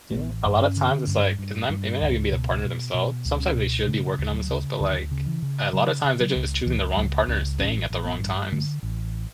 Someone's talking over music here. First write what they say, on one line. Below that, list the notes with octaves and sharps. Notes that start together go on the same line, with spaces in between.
Yeah, a lotta times it's, like it's not it may not even be the partner themselves, sometimes they should be working on themselves, but, like, a lotta times they're just choosing the wrong partner and staying at the wrong times.
A3
A1 B3
G2
C#4
D3
G2
G2
G2
C#2
B2
B2
B2
C#2
C#4
B2
C#3 A3
D2
F#3
C#3
D2 D3
C#3
E3
C#3
C#3 F#3
C#3
F#3
C#2
C#2 E3
C#2 F#3
C#2 C#4
A1 C#4
A1
B3
G2
D3 A3
A1